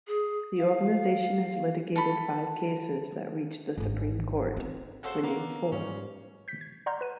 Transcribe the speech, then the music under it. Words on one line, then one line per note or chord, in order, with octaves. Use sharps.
The organization has litigated five cases that reached the Supreme Court, winning four.
G#4
F5
A4 B5
G#1 D3
C4
C#3 F#4 A4 C5
A#3 B3 D5
G#2 G3 C#4
G6 B6
G#6
D5 F#5 A#5 C6 F6 G6
B4 D#7